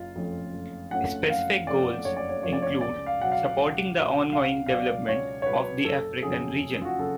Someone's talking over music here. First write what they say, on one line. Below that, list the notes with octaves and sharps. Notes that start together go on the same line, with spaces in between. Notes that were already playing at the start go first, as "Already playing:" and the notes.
Specific goals include supporting the ongoing development of the African Region.
Already playing: F#1 F4
F2 F3 A3 C#4
F#1
F2 F3 A3 C#4 F#5
F#1 F5
F2 F3 A3 C#4 D5
F#1 C#5
D5
C#5
F2 F3 A3 C#4 C#5
D5
C#5
C#2 D5
F5
B2 F#3 F#5
F5
C#2
B2 F#3
C#2 F5
F5
B2 F#3 D5
C#2 C#5
C#5
B2 F#3 B4
F#1 A4
F2 C#3 F#3 G#4
F#1
F4
F#4
C#3 F#3 A4